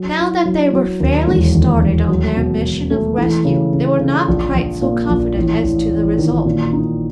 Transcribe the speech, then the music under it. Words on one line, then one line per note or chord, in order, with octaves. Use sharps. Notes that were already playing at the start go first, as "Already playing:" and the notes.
Now that they were fairly started on their mission of rescue, they were not quite so confident as to the result.
Already playing: F#3
E4
F#3
F#3
D#2
E1
D#2
D#2
F#3
B2
B2
A3
E3
C#3
C#3
C#3
A#1
A#1
A#2
A#1
A1
A1
A1
D#3
A#2
D#4